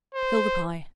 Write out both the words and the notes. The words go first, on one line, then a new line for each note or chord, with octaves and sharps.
Fill the pie.
C5